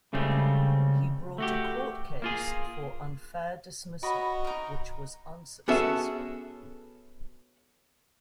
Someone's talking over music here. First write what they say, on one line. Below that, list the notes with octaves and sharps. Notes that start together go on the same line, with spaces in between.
He brought a court case for unfair dismissal, which was unsuccessful.
C#2 C#3 G3 A3 C4
A3 F#4 G4
A#3 F4 G#4
F#4 C#5 D#5 B5
D#4 A#4
B3 C#4 F#4 G#4 A4 E5